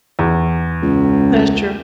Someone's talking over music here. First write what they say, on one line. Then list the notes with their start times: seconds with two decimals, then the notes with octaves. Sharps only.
That's true.
0.19 E2
0.82 C#2